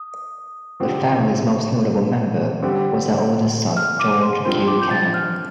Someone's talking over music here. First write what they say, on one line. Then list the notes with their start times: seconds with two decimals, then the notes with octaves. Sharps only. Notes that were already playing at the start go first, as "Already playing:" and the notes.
The family's most notable member was their oldest son George Q. Cannon.
Already playing: D#6
0.80 D3 F3 C4 G4
2.63 D3 G3 C4 G4
3.77 F6
3.99 D6
4.22 C6
4.45 G2 F3 C4 G4 C5 C6
4.68 D6
4.82 G6
4.91 A6
5.14 F6